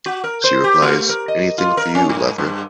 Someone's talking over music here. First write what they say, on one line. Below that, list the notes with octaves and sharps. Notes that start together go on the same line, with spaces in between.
She replies "Anything for you, lover".
F#4
A#4
C5
G4
A3
A#4
D#5
F4
A#4
C#4
G#2
G2